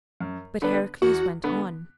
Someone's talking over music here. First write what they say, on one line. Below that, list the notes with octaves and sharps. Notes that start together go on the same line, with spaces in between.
But Heracles went on.
F#2
D3 B3 D4 B4
E2 F#4
D3 B3